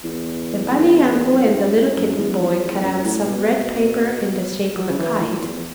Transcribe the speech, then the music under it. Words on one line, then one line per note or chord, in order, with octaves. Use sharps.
The bunny uncle and the little kitten boy cut out some red paper in the shape of a kite.
E2
F#2
A2
F#2
A2
F#2
E2
E2
E2
F#2
A2
B2
F#3
C#3
E3
A2
E2